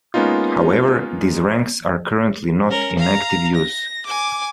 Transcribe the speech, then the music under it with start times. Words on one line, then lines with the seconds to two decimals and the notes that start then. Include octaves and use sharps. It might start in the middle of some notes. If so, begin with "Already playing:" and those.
However, these ranks are currently not in active use.
0.14 G#3 A#3 B3 C#4 D#4 F4
2.69 C#4 A#4
2.99 F5 A#5
3.55 A#6
4.06 G#5 D6